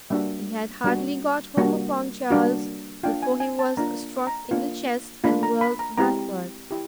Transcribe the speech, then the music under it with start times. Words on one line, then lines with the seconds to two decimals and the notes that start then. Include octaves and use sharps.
He had hardly got home upon Charles before he was struck in the chest and whirled backward.
0.10 G3 A#3 D4 F#4 E5
0.84 G3 A#3 D4 F#4
1.57 G3 A#3 D4 F#4
2.30 G3 A#3 D4 F#4
3.03 A#3 D4 F4 G5
3.23 G#5
3.40 G#5
3.59 A5
3.77 A#3 D4 F4 A#5
4.27 A#5
4.51 A#3 D4 F4
5.24 A#3 D4 F4 B5
5.43 A#5
5.61 B5
5.79 A#5
5.98 G#3 C4 E4 G4 A#5
6.71 E4 G4